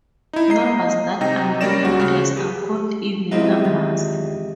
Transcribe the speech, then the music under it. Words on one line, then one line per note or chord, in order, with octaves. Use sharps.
Numbers that are not odious are called evil numbers.
D#4 E4
D#5 A#5 C7
C3 D#4 G5 A#6
G3 A#3 C#4 D5 A#6 E7
D2 F#4
C#3 F#4
G4 G#4 B4
G#2 C3 B3 E4 F4
E2 D#3 F4